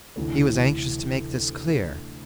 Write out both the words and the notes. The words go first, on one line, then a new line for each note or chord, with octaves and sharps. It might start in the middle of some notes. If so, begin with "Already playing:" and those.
He was anxious to make this clear.
D2 C3 E3